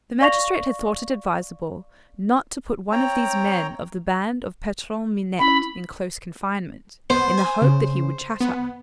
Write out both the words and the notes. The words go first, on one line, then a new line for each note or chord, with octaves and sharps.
The magistrate had thought it advisable not to put one of these men of the band of Patron Minette in close confinement, in the hope that he would chatter.
D5 F5 C#6 A#6 F7
C4 C#5 G5 A#5
C#4 E4 B5
B3 C5
G#5
C#3
B3